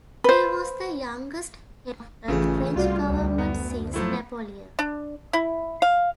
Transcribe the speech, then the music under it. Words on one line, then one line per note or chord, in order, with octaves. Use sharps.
He was the youngest head of a French government since Napoleon.
B4 C5
A1 C#3 E3 A3 C#4 F4 G#4
C2 G3 F4 F#4 D5
D2
F#2 B3
F3 F#3 A3 E4
D4
E4
F5